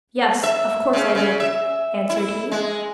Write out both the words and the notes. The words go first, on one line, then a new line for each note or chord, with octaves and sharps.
'Yes, of course I did,' answered he.
E5
C#3
C#3
E5
E4
G#3